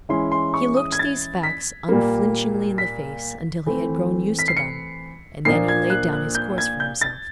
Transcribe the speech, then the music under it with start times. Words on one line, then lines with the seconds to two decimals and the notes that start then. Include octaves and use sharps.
He looked these facts unflinchingly in the face until he had grown used to them, and then he laid down his course for himself.
0.09 E3 G#3 C#4 E4 C6
0.32 C6
0.54 C#6
0.76 D#6
0.92 G#6
0.99 A6
1.43 B6
1.89 A#2 G3 A#3
2.78 B6
3.66 E3 A3 C4
4.39 B6
4.48 C7
4.57 C#7
5.45 A#2 F3 A#3 D4 C7
5.68 G#6
5.90 F#6
6.13 F#6
6.35 G6
6.58 G#6
6.80 G6
7.01 A6